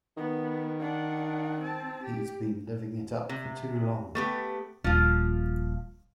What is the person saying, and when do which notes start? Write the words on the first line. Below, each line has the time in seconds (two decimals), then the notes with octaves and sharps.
He's been living it up for too long.
0.17 D#3 B3
0.80 D4 F#5
1.61 C4 A5
2.03 G4
3.29 C3
4.15 A3 B3 G4
4.84 D#1 F3 F4